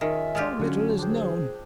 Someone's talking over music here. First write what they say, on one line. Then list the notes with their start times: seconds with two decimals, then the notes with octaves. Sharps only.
"So little is known."
0.01 D#3 C#4 F4 G#4 E5
0.35 G#3 F4 G4 A5
0.60 D3 F#3 C#4
0.98 D4 G#4 C5 G5